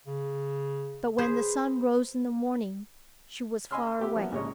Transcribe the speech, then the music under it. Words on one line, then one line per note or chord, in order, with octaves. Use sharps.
But when the sun rose in the morning, she was far away.
C#3
G#4 B4 C5
D#5 G#5 B5 C6 E6 F6
B3 G4 E5
F3 A#3 B3 E4
A#1 A#2 C#3 G#3 C#5 D#5